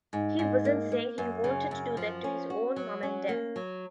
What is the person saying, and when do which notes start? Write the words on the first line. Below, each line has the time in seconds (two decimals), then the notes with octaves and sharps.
He wasn't saying he wanted to do that to his own mom and dad.
0.13 G#2
0.39 G#2
0.65 A#3
0.92 A#3
1.18 F#2
1.44 C#3
1.71 F#2
1.97 F3
2.24 C#4
2.50 F#4
2.76 F#3
3.03 C#4
3.29 A#3
3.56 F#3